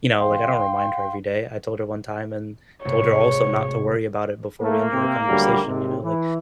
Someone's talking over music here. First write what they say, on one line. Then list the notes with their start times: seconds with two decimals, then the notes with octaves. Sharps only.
you know, like, I don't remind her every day. I told her one time and told her also not to worry about it before we ended our conversation, you know, like
0.18 F5 G5 C6
2.85 G#1 A2 C3 C#5
4.62 A3 A#3
4.93 C3 C4
5.28 D2 F#3 G3
5.64 G#1 D#2 C3
6.03 E3